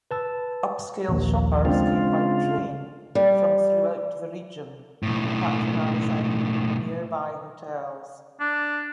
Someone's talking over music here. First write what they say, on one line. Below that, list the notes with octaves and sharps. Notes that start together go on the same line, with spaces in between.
Upscale shoppers came by train from throughout the region, patronizing nearby hotels.
B4 A5 E6
A#1 D#2
C#3 G#3 C4 D4 F4
G3
B1 A2
D4